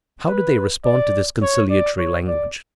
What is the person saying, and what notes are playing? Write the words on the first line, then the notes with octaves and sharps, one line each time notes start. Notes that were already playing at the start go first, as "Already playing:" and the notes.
How did they respond to this conciliatory language?
B4
D5
C#5
D5
C#5
D5